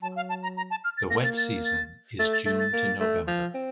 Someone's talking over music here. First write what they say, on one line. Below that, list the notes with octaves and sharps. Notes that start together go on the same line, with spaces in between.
The wet season is June to November.
F#3 A5
F5
A5
A#5
A#5
A5
F6
A6
A#3 A#6
A6
A6
A6
A3 A6
A6
A3 A6
A6
A#3
A3
F3
C4